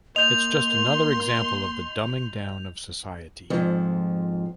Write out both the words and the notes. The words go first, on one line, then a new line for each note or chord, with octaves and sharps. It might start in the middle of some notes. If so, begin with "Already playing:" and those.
It's just another example of the dumbing down of society.
A#3 D#5 C6 G6 F7
F2 G#2 F3